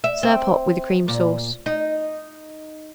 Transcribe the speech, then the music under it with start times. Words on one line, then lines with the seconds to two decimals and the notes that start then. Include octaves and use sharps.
Serve hot with a cream sauce.
0.04 E5
0.23 C4
1.08 A#2
1.66 D#4